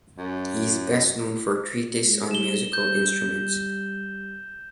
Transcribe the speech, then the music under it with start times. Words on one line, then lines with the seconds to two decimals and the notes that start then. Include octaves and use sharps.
He is best known for a treatise on musical instruments.
0.18 F#2
2.03 G#3
2.31 G3 E7 G7
2.73 G3 G6